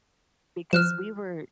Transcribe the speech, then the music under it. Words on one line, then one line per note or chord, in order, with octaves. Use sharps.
"because we were
F3 F6 F#6 E7